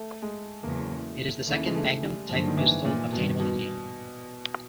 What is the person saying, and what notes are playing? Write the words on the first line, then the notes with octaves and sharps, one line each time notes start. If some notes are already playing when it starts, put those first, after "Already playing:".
It is the second "Magnum" type pistol obtainable in the game.
Already playing: A3
G#3
E2 C#3 F#3 A#3
D#2 C#3 E3 A3
G#3
A3
G3
G2 D3 F3 F#3 A#3
D#3
E3
A#2
G2 B2 D#3 G3 B3
B2